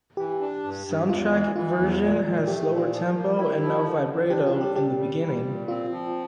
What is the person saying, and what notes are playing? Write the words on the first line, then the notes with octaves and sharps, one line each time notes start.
Soundtrack version has slower tempo and no vibrato in the beginning.
E3 G4
D4
G2
G2
E2 F4
E3
E3 F4
E2
A#2
A#2
A3 G4
G4
A#2
F4
F3
A#3
E4 G4
F3
D3
D3
D4 G4
F4
G3
G4
A#2 G4
G3
G3
A#2
C4 F4
F3